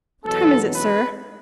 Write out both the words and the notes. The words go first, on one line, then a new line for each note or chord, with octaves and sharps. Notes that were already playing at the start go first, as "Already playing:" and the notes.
"What time is it, sir?"
E2 B2 F#3 A4
B4